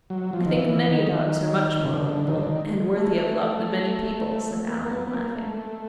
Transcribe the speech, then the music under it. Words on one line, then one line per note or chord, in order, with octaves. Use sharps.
"I think many dogs are much more lovable--and worthy of love--than many people," said Alan, laughing.
F#3
F3
D#3
E3
D#3
C#3
D3
D#3
D3
D#3
A3
A#3
A#3
B3
B3
A#3
A3